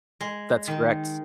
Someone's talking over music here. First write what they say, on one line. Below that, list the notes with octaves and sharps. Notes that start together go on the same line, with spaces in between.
That's correct.
G#3
D#3